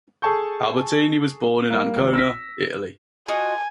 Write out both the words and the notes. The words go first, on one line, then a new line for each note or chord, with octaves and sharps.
Albertini was born in Ancona, Italy.
G#4 A4 G#5 A5 C#6 G6
G3 A#3
G#1
E6 A#6 B6
F4 F#4 D#5 G#5